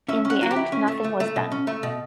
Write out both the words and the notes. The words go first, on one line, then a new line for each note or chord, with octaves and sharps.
In the end nothing was done.
C#4 E5
C#4
F#5
F#3 F#4
G4
E4
C#4
A3
A3
A3
B2
C#4
A3
B2